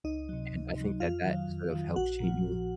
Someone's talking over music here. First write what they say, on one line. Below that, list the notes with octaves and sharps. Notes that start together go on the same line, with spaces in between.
and I think that that sort of helped shape me in
C#2 D#4 D#5
C3 F#3
C#2
C3 F#3
F2 F4 F5
D#3 F#3
F2
D#3 F#3
A#1 F#4 F#5
A#2 F3
A#1